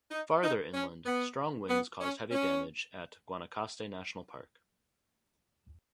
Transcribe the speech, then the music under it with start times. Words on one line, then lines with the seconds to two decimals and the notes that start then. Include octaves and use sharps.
Farther inland, strong winds caused heavy damage at Guanacaste National Park.
0.10 D#4
0.42 D#4
0.73 C#4
1.06 B3
1.68 B3
2.00 C#4
2.31 C#4